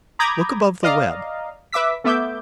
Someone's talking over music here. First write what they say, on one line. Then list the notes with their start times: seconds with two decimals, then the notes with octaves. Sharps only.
Look above the web.
0.19 A#5 B5 D6 D#6 G6 G#6
0.83 D5 D#5 F5 A#5
1.73 B4 E5 D6 E6 B6
2.04 A3 B3 E5 D6 G6